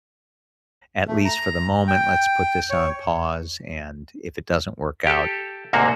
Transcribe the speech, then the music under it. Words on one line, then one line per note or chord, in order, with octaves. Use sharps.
at least for the moment, let's put this on pause. And if it doesn't work out,
A3
A#5
G5
C#5
G4 A4
D2 G#2 C3 A#3 F#4